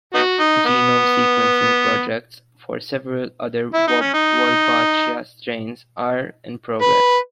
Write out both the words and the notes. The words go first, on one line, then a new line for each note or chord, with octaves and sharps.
Genome sequencing projects for several other "Wolbachia" strains are in progress.
B3 D#4 F#4
D#4
B3
E4
D#4
C#4
D#4
B4